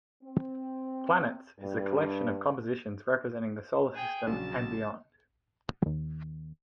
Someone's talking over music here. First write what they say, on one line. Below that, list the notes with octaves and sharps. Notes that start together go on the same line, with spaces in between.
"Planets" is a collection of compositions representing the solar system and beyond.
C4
G2
G#4 G5
A#1 C#3 F#3 A5
D#2